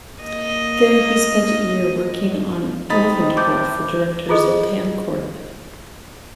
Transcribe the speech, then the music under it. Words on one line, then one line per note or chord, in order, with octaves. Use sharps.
There, he spent a year working on "Elephant Boy" for director Zoltan Korda.
A#3 D#5
C3 D#4 B5 A6
A2 D6 G6
E4 F4 G#4 A4 D#5